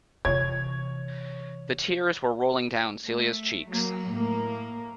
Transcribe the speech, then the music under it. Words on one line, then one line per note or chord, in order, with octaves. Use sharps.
The tears were rolling down Celia's cheeks.
C3 E3 C#5 G#6
A3
F#3 A#3
A2 A#3